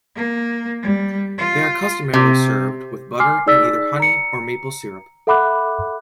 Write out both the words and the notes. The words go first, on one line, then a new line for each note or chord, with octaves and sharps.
They are customarily served with butter and either honey or maple syrup.
A#3
G3
F4
C3
G#5 C6 D6 F6 C7
D#4 G#4 D5 E6 A6 B6
A#5 C#7
A4 E5 F#5 B5 D6 F#6